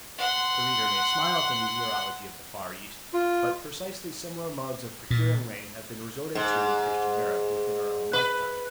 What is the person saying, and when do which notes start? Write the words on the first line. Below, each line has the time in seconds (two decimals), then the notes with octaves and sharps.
The reader may smile at the meteorology of the Far East; but precisely similar modes of procuring rain have been resorted to in Christian Europe within our own lifetime.
0.18 F#5 C6
3.14 F4
5.11 A#2
6.35 G#2
8.13 B4